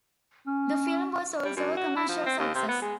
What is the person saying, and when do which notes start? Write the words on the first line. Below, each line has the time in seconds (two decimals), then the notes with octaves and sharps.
The film was also a commercial success.
0.47 C#4
1.44 G3
1.56 F#2
1.77 F#4
1.96 E4
2.08 F3
2.26 C4
2.38 D#2
2.54 C3
2.68 B3
2.82 G#3